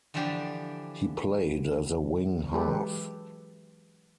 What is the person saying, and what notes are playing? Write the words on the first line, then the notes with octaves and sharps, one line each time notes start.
He played as a wing half.
D3 E3 F3 D4 G4
E3 F#3 G#3 G4 A4 B4